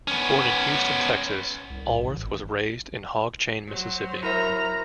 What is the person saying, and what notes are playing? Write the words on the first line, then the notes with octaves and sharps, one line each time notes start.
Born in Houston, Texas, Alworth was raised in Hog Chain, Mississippi.
B3 C#4
C2
A2
A1
G#1
F#3 C5
E4 A#4 E5 A#5